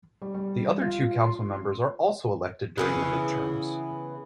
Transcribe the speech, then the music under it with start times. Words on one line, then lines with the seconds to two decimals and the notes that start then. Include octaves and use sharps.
The other two council members are also elected during the midterms.
0.22 G3
0.34 G3
0.81 F4
1.21 C6
2.78 C#3 E3 B3